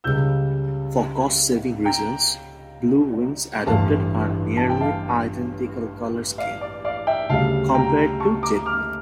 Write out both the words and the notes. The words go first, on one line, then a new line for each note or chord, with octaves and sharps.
For cost-saving reasons, Blue Wings adopted a nearly identical color scheme compared to JetBlue.
C#2 C#3 G3 E6 G6
G5 A#5
A1 G2 E3 F5 A5
A5
G5
F5 A5
D5 F5
D5
D5 F5
E5 G5
D2 C#3 G3 F5 A5
G5 A#5
A5 C#6
A#5 D6
D6 F6